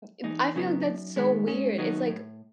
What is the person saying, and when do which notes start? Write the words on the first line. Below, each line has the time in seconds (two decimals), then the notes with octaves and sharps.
And I feel like that's so weird. It's like
0.24 E2 D#4
0.55 C#3 F#3 B3
0.85 F#2
1.16 D#3 G#3 B3
1.47 G#2 C#4
1.78 D#3 F#3 B3 D#4
2.10 A2